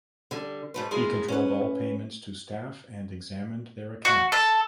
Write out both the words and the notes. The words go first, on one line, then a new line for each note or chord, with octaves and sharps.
He controlled all payments to staff and examined their accounts.
D3 G3
G#2 A3 B4
G#3 E4 F4 G#4 A#4
C#4 B4
F#4
A4